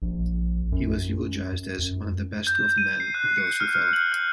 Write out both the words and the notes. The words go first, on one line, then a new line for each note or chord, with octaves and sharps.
He was eulogised as "one of the best loved men of those who fell".
A#1
F#2
F#2
G6
D#7
C7
F#6
C#7
F6
F6
F#7
F#6